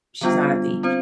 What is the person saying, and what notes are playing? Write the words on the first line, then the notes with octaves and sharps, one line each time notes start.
she's not a thief.
D3 G3 B3 D4 F4
C4 F4 C5